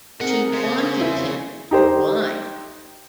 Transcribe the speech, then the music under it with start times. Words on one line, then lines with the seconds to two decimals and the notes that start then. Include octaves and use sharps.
She wanted him to whine.
0.20 B2 C4 D#4 G#4 A#4 F#5
0.53 C#3 C5
1.01 C#4 E4
1.71 D#4 G4 C5